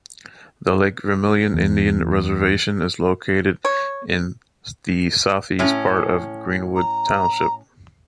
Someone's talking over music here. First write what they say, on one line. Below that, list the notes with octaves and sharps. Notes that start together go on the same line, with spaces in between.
The Lake Vermilion Indian Reservation is located in the southeast part of Greenwood Township.
E2
C#5
A2 C#4
A#5